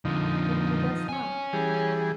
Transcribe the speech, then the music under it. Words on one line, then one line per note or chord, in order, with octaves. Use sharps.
It really does smell.
F2 D3 F3 D#4
C#5 G#5
E3 G3 G#4